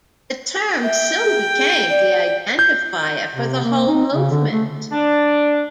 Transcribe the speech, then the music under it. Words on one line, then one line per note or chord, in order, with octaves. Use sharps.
The term soon became the identifier for the whole movement.
E5 G5
G#4
D5
G6
C3
A#3
D#4
C#3
D3
A3
D4